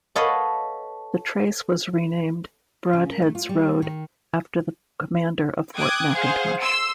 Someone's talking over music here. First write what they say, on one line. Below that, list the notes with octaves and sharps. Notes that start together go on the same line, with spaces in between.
The trace was renamed Brodhead's Road, after the commander of Fort McIntosh.
A4 B4 C#5 D#5 F5 F#5
C#3
A#4
A3
F4
G3
D#3
G5 D6 D#6 F#6 G#6
G#4 C5 F5 F#5
C6 E6